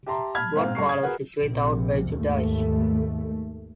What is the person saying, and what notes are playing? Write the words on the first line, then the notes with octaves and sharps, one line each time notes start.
What follows is without prejudice.
G4 E5 A5 A#5 C6
A5 B5 F6 G#6
G#2 C4 F5
G2 A4 C#6 C7
G#6
F#4 G#4 A#4 B4 F#5
A#1 C3
D#2 G#2 A3